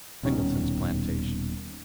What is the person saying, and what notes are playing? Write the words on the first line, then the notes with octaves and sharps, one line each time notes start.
Singleton's plantation.
D#1 B2 D#3 C#4